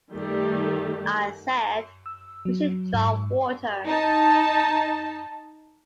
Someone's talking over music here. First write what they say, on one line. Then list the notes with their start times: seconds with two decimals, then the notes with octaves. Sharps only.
I said we should draw water.
0.12 D#3 G3 A3 G4
2.06 E6
2.45 F#3
2.94 G#2
3.87 D#4 A5